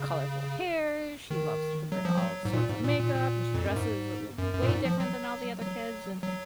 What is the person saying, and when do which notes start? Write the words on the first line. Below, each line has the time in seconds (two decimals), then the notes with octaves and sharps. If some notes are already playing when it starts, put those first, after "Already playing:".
colorful hair, she loves to wear all sorts of makeup, and she dresses a l way different than all the other kids, and,
Already playing: C#3
1.31 D#3
1.92 F#3
2.05 F3
2.17 F#3
2.45 G#2
2.53 A#2
2.69 G#2
2.84 A#2
3.00 A#2
3.15 A#2
3.54 F2
3.66 F#2
3.76 G#2
4.38 F#2
4.54 F#2
4.63 A#2
4.69 G#2
4.85 F3
5.00 F#3
5.61 F#3
6.23 F#3